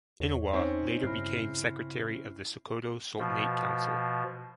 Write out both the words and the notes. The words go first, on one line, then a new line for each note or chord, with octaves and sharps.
Inuwa later became Secretary of the Sokoto Sultanate Council.
E2 C#5
C4 C#4 D#4
G2 C#3 E4 F6 C7
B2 F3